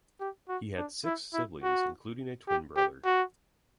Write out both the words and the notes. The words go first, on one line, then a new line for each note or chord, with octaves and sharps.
He had six siblings, including a twin brother.
G4
F#4
D4
E4
E4
F#4
G4
G4
F#4